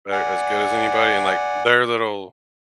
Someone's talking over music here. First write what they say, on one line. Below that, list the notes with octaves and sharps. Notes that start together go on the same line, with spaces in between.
better as good as anybody, and, like, their little
D5 F#5 G#5